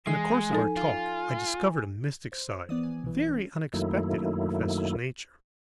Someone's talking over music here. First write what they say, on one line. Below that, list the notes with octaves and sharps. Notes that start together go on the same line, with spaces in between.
In the course of our talks I discovered a mystic side, very unexpected, in the professor's nature.
E3 G#3 G#5 C7
F3 D#4 A4
F4
C5
E3 B3 D5 D#6
G#5
B1 E3
C#4
F#2 D#3 F#3 A3 A#3 E4